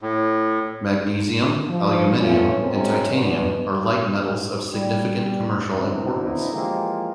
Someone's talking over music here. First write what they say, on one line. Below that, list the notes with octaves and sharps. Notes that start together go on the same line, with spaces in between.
Magnesium, aluminium and titanium are light metals of significant commercial importance.
A2
F3
A3 B3 C#4 F4
F#2 C#3 G#3 C4 C#4 A#4
E2 G2 B2
G3
B2 D3 C4 D#4 E4
E3 F3 G#3 A#3 F4 G4